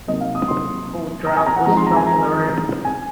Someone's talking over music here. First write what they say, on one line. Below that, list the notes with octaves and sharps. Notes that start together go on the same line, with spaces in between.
A cold drought was felt in the room.
C3 F#3 A#3 D#4 D#5
F5
D#6
C6
A#5
G#5
A#5
F#5
F3 G#3 C4 D#4 A#5
C6
A#5
G#5
A#5
G#5